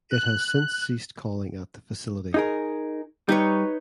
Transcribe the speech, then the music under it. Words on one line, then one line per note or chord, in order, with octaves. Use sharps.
It has since ceased calling at the facility.
F#6
D#4 G#4 A#4
G3 D#4 B4 C#5